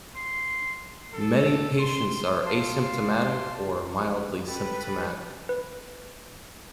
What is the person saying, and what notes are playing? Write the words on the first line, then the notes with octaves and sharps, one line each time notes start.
Many patients are asymptomatic or mildly symptomatic.
C6
A4
C6
F5 A5 C6
G4 A4 B4
B4